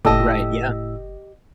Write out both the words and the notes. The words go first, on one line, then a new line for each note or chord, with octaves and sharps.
Right, yeah.
F#1 A2 E4 G4 A4 D#5 A5 E6